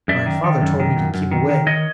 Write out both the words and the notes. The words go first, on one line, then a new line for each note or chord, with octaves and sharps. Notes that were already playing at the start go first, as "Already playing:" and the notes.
My father told me to keep away.
F#2 D5 E5
D#3
D#3
F#2
D#3
F#2
F#2
D#3
D#3
D#3 C#5 D#5